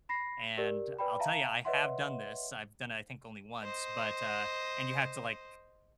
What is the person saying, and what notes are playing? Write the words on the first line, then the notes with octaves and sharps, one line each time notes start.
and I'll tell ya, I have done this. I've done it I think only once, but, uh, and you have to like
B5 A#6 C7
G4 A#4 D5
B4 D5 G5 B5
E5 F5 A5 A#5
B4 C#5 D#5 E5 F#5 C6
C5 D#5